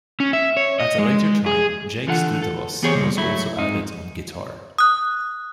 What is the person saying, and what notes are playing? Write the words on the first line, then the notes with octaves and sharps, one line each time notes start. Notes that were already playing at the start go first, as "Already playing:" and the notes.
At a later time, Jake Stutevoss was also added on guitar.
C#4
E5
C#5
D#5
G#3
G#4
D3 E3 F4 A4 D#5 F#5
A4
E3 B3 G4 G#4 C5 C#5
A#2 C#3 G3 G#3
F#3 A3 E4
G#2 C4 D#4
D#6 F#6